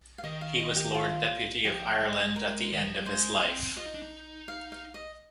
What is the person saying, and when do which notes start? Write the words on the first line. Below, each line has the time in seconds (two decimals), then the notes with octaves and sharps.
He was Lord Deputy of Ireland at the end of his life.
0.18 F5
0.24 D#3 D#5
0.41 F5
0.59 D#5
0.76 G4
0.95 F4
1.65 F3 G4
2.00 G#3
2.36 A#4
2.72 D#3
2.83 F3
2.95 G3
3.06 G#3 C5
3.34 A#3
3.42 C4
3.77 F4 D#5
3.85 D#4
3.94 D4
4.02 D#4
4.48 F5
4.72 F5
4.94 D#5